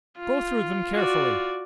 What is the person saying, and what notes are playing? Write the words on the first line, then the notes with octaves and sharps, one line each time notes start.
Go through them carefully.
F4
F#4 D5